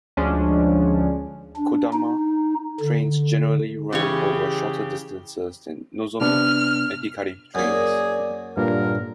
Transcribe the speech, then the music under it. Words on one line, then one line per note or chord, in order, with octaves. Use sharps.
"Kodama" trains generally run over shorter distances than "Nozomi" and "Hikari" trains.
D2 F3 G#3 C#4 D4
D4
D#4
D3
C#3 E3 G4 G#4 C#5
C3 B3 D4 F6
F#2 A#3 G#4 D5
G2 A#2 D3 A#4